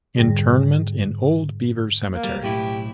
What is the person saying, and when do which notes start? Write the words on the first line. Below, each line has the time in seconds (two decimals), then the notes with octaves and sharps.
Interment in Old Beaver Cemetery.
0.16 F2 G#2 D3 G3
2.11 A#3
2.24 G3
2.42 B1 A2 E4 G4